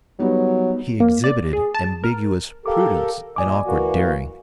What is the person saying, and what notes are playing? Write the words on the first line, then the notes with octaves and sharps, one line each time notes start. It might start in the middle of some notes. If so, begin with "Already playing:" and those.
He exhibited ambiguous prudence and awkward daring.
F#3 G3 B3 D#4
A#3
D5
G#4
A5
A#4
G4 A4 A#4 F5 D6
A#2 D5 D#5 G#5 D6
E3 A#3 F#4